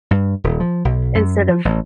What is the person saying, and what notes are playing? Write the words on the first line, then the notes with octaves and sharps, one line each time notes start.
instead of
G2
D#1
F3
B1
F#2
F3
A1